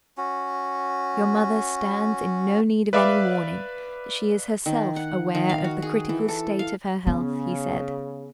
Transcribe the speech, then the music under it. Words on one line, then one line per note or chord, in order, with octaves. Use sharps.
"Your mother stands in no need of any warning; she is herself aware of the critical state of her health," he said.
C#4 F#4
B4 D5 E5 F5 B5 D6
D#3
F#5
D#3
F5
F#4
G#4
E3
A4
F5
C#3 B3